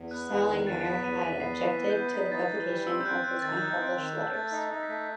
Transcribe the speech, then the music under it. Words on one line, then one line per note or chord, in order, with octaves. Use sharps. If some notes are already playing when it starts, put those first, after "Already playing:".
Salinger had objected to the publication of his unpublished letters.
Already playing: E2
B3 F#6
E2 F#6
D#3
E2 A6
B3 B6
E2 B6 D#7
E2 B6 D#7
B3 C7
E3
B6
B3
G6
B3
D#4 B6
E3 A6
E3
G3
C4 E6
G6
C4 F#6
C4 F#6
D#3 A6
G6
F#6
D#4 G6
C4
D#3
A3
G6
A3 A6
D#4
A6
D#4
B6
A3